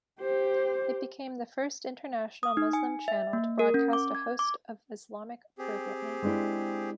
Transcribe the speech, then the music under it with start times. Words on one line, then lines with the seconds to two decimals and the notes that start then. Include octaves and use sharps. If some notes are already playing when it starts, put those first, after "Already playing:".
It became the First International Muslim channel to broadcast a host of Islamic programming.
0.20 G4 C5
2.43 D#6
2.57 D#4
2.73 G#5
3.08 E5
3.33 A#3
3.59 A#4
3.74 C#4
3.93 D6
4.15 G#6
4.39 D6
5.58 C4 G4 G#4
6.22 G#3 D4 E4